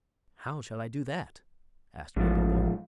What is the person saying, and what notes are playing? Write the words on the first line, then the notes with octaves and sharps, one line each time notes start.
"How shall I do that?" asked Popopo.
A1 G#2 F3